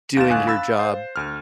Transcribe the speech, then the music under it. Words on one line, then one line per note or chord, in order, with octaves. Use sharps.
doing your job,
D#2 F5 A6 E7
G1 F5 G#5 F#6
B5 E6 A6
C5
D2 F6